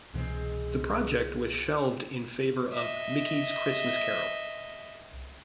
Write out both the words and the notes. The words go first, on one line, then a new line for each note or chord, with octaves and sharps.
The project was shelved in favor of "Mickey's Christmas Carol".
C2 B2 E3 G#3 C4
D#5 E5